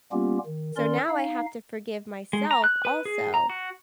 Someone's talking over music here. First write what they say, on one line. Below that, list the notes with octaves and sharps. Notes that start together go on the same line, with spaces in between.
So now I have to forgive myself also,
G3 A#3 B3 C#4 F4 G4
D#3
D#3 C#4 A#4 D5 C6
D#4 F5
G#3
A#5
F#6
B4
G#4
A#5
F#4